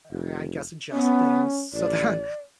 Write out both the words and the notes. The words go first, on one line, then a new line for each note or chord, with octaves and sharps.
I I guess adjust things so that
F1
B3 C#4
A1 D5